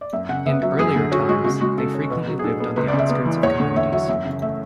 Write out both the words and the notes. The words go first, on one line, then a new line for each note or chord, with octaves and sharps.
In earlier times, they frequently lived on the outskirts of communities.
D5
F#2 E5
C#3 F#5
B3 E5
F#3 E5
F#2 G#4
D3
C#4 F#4
G#3 F#4
C#3 F#4
G#3 F#4
C#3 A4
C#4
B2 B4
F#3
G#4
D4 A4
B3 A4
C#2 B4
D5
C#3
E5
B3
E3
E2 C#5
D3
E2 E5
F#3 E5
F#2 E5
C#3
A3 E5